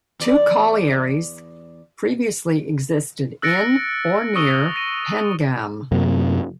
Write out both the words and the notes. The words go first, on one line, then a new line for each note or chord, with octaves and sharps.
Two collieries previously existed in, or near, Pengam.
E2 D5
E6 F#6 A6 A#6 C#7 D7
C#6 D#6 E6 A#6 G7
A#6 D#7
F#2 C3 A#3